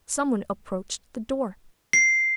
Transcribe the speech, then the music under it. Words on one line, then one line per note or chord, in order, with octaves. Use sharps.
Some one approached the door.
C7